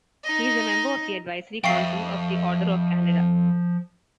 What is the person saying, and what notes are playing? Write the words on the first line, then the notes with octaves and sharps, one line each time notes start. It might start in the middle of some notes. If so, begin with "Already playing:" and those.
He is a member of the Advisory Council of the Order of Canada.
D#4 D#5
F2 F3 E5 F5 G5 C#6 C7